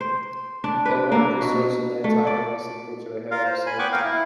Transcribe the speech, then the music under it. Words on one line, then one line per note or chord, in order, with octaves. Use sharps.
Then one inserts an anti-aliasing filter ahead of the sampler.
C5
D4
B4
A#3
B2
A3
D5
F4 A#4 F5
C5
G#5 B5
B3 G5 B5 C#6 D6 F#6
A#4 F5 G5
E4